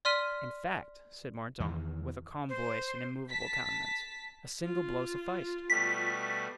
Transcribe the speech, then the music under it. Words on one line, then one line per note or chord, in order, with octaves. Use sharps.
"In fact," said Mordaunt, with a calm voice and immovable countenance, "a single blow sufficed."
D5 C6 F6 B6 D#7
E2 D#3 E3
C5
A5 B6
F4
B2 G3 A3 B6